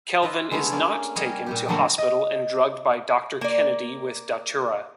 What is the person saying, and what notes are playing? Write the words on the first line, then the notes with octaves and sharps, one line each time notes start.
Kelvin is not taken to hospital and drugged by Doctor Kennedy with Datura.
E4 F4 B4 D#5 E5
D3 G#3 A3 B3 E4 G#4
A#3 C#4 D5 F5
G3 G#4 C#5 D#5 F5
A#2 G3 G4
D3 F#3 G3 A3 A#3 E4
D#5
A#3 D5